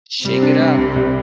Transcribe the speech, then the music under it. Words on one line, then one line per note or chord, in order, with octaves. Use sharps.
Shake it up.
C3 G3
D4
G3
C2
C2